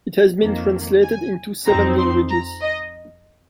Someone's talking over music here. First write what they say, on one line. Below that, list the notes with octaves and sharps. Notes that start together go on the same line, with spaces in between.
It has been translated into seven languages.
F2 D#3 A#3
G#5
F2 F3 C4 D#4 A#5
C6
A#5
D#5